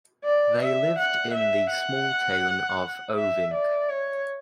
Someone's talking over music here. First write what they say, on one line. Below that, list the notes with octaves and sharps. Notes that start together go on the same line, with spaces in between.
They lived in the small town of Oving.
D5
E5
F#5
E5
F#5
E5
D5
C#5